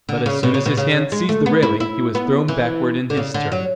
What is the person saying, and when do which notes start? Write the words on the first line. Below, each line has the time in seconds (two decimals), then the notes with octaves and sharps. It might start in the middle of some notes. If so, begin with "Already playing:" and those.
But as soon as his hands seized the railing, he was thrown backward in his turn.
0.09 D3
0.26 C#3
0.43 B2
0.54 C#3
0.66 B2
0.77 C#3
1.12 G#3
1.29 A3
1.46 B3
1.63 E4
1.80 E4
2.15 B3
2.48 E3
3.10 D3
3.17 C#3
3.34 D3
3.52 F#3